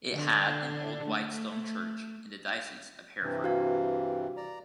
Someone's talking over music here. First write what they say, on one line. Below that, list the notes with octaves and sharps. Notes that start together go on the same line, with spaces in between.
It had an old white stone church in the Diocese of Hereford.
D3
A3
G2 C3 E3
F#4 F5
D5 A#5